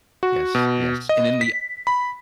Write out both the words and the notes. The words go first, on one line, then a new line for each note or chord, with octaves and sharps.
Yes, yes. And in the
F#4
B2
D#5
B6
B5